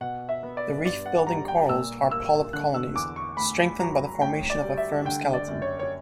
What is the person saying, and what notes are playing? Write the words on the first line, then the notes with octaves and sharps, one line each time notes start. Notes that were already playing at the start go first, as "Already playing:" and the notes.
The reef-building corals are polyp-colonies, strengthened by the formation of a firm skeleton.
B2 F#5
E5
B3
D5
G2 D5
F#5
G3 A#5
G5
A#2 E6
A#3 E6
D3 F#6
E6
E2 D6
C#6
D2 B5
F#3 A#5
D2 G5
D5
G3
E5
D3 G5
D5
F#2
C#5
C#5